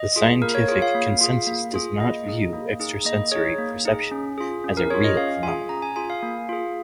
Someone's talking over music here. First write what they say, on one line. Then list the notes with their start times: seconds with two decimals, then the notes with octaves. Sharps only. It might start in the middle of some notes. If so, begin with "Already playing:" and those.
The scientific consensus does not view extrasensory perception as a real phenomenon.
Already playing: D#5
0.16 F4 G#4
0.42 A#3 A#4
0.55 C#5
0.68 F4 G#4 C#5
0.82 F5
0.95 A#3
1.21 F4 G#4
1.47 A#3
1.74 F4 G#4
2.00 A#3 D#5
2.26 D#4 G#4
2.53 A#3
2.80 D#4 G#4
3.05 A#3 D#5
3.32 D#4 G#4 C#5
3.58 A#3
3.85 D#4 G#4
4.11 C#4
4.38 F4 G#4
4.64 C#4
4.77 A#4
4.90 F4 G#4 C#5
5.04 D#5
5.16 C#4 F5
5.43 F4 G#4 G#5
5.69 C#4 A#5
5.82 G#5
5.96 F4 G#4 G#5
6.10 F5
6.22 A#3
6.49 F4 G#4